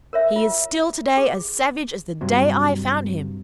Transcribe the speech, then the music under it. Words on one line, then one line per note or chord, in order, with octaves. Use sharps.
He is still today as savage as the day I found him.
A#4 C#5 E5
F4
G#4
G2 C3 F#3